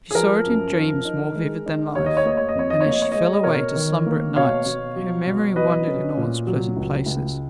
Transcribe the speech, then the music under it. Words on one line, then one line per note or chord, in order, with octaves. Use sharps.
She saw it in dreams more vivid than life, and as she fell away to slumber at nights her memory wandered in all its pleasant places.
G#4
F3 A#4
F#2
F3
D#4
G#3
D#4
D#2 C#5
D#5
C#5
A#3 D#5
C#5
D#5
F2 C#5
D#5
C#5
A#3
D#5
C#5
G#3 D#5
C#5
D#5
B2 A#4 C#5
D#3
A#3
B2 C#5 F5
B2
F#3
B2
F#3 B4 D#5
C#4
A#2
F#3
C#2
C#2